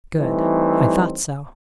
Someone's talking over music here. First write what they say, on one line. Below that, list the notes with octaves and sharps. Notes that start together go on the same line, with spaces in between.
Good, I thought so.
E3 G3 A3 C4 D#4